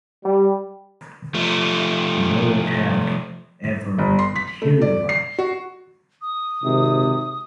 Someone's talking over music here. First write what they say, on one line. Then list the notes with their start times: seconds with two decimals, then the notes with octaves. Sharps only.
No attack ever materialized.
0.24 G3
1.34 F3 A3
3.98 G1
4.19 C6
4.36 B6
4.62 A3
4.81 D5
5.09 C7
5.39 F#4
6.22 D#6
6.64 G#1 C3